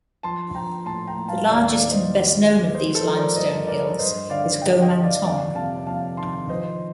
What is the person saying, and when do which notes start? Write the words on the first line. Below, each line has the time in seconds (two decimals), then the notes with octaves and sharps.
The largest and best known of these limestone hills is Gomantong.
0.23 F3 A5 C6
0.55 F3 G5 A#5
0.86 A2 A5 C6
1.07 G5 A#5
1.18 A2
1.28 F5 A5
1.49 D#2 D5 F5
1.69 D5 F5
1.80 D#3
1.91 C5 D#5
2.11 D#2
2.42 G3
2.73 F3 C5 D#5
2.95 A4 C5
3.06 F3
3.15 A#4 D5
3.36 G2 C5 D#5
3.67 G2 A#4 D5
3.99 G2 C5 D#5
4.30 D3 D5 F5
4.61 G2 D#5 G5
4.82 D#5 G5
4.93 G3
5.03 D5 F5
5.24 F2 D5 F5
5.55 C3 F5 A5
5.87 F2 F5 A5
6.17 D#3 A5 C6
6.49 F3 C5 D#5